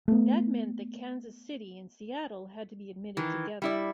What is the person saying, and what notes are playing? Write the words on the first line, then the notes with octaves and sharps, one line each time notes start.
That meant that Kansas City and Seattle had to be admitted together.
A3 B3
D#3 E3
G3 E4 D5